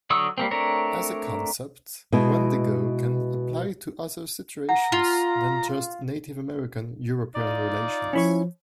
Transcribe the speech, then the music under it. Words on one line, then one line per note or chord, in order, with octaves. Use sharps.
As a concept, wendigo can apply to other situations than just Native American-European relations.
D3 F#3 C#6 D#6 E6
G3 A#3 C4
A3 C4 D4 A#4 C#5
B2 G#3 E4
F#5 A#5
F4
D#4 F4 D5
F3 C#4 E4 C#5